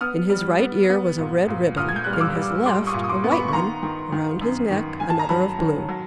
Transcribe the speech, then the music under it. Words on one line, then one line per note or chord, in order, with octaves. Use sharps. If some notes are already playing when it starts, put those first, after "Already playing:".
In his right ear was a red ribbon, in his left a white one; around his neck another of blue.
B3 D#6 F6
G3
B3
B3
A#2
A#2
A#2 D#6 F6
G#6
G6
G3 F#6
F6
D6 E6
G3
G3 C6 D6
C#6 D#6
A#2
D#6
C6 D6
B3
B5 C#6
C#6
D#3 A#5 C6
D#3
D#3
F#2
D#3
D#3 G#5
A5
A#5
F#3 A5 B5
D#3
F#3